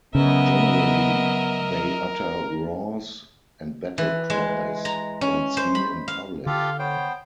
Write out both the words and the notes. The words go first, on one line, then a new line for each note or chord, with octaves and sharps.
Generally, they utter roars and battle cries when seen in public.
C#3 F#3 B3 A#4 D#5 E5
E3
G#3
A#5
C#4
C5
B5
F5
D3 F4 G4 A4 F5
B3 C5 C#5 G5